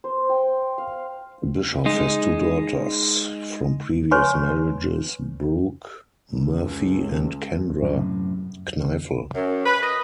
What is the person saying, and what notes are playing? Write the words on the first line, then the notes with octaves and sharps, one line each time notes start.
Bischoff has two daughters from previous marriages, Brooke Murphy and Kendra Kneifel.
C5
G5
F5
G#3 D#4
B4 C#5 G#5 C6 C#6
C#2
F#2 A2 C3
F#2
B4
D#5